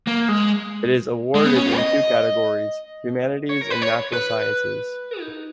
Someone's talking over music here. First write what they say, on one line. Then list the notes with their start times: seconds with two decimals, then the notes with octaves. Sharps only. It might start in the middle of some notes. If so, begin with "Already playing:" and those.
It is awarded in two categories: humanities and natural sciences.
0.07 A#3
0.28 G#3
1.35 G#3
1.45 B3
1.57 C#4
1.68 F4
1.77 D#5
3.49 C#5
3.61 A#4
3.70 B4
3.82 C#5
4.13 B4
5.20 D#4